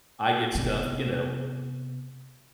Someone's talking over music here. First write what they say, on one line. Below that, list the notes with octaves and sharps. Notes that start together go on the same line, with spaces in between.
I get stuff, you know
C3 B3